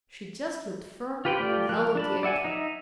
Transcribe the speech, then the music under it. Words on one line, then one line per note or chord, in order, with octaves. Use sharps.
She just looked firm and held up the apron.
F4 G4 B4 C5 G5
A3 F4 G4 D5
F3 F4 A#4 A5 F#6
D4 A5 B5
D5 E5 F#5 G#5
D#4 E5